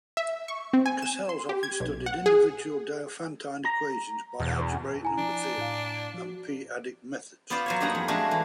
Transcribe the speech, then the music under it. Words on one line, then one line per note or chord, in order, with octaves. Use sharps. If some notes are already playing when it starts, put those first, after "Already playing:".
Cassels often studied individual Diophantine equations by algebraic number theory and p-adic methods.
E5
C#6
C4
G#5
E7
C6
G4
G#6
B1
F#5
G#4
A#5
E2 B2
E4 G#5 A#5
F3 D4
A2 F5
F3 F#4
B3 F4 C5 D5
F#3 C5 C#5
G2 A#3 D#4 F#5 A#5
F2
G#3 A3 D4 F#4 F5
E3